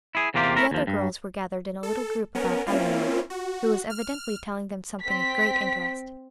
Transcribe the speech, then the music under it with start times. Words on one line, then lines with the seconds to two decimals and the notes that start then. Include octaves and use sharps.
The other girls were gathered in a little group about Elinor, who was evidently telling them something of great interest.
0.15 E4 G#4
0.34 E2 C3 A#3 F4 G4
0.56 A3 E4 A#4
0.71 D#2 F3
0.87 G2
1.83 A4
2.35 B3 C#4 A#4
2.67 A#3 C4 C#4 E4 F4
3.30 F#4
3.90 F6
5.02 C4 B6